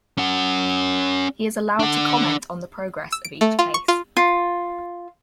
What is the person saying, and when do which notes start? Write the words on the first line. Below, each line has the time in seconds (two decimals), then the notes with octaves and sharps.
He is allowed to comment on the progress of each case.
0.18 C#4 F#5
1.79 D4 F#5
3.12 E6
3.25 D7
3.41 A3
3.59 F4
3.74 C#6
3.88 F4
4.17 F4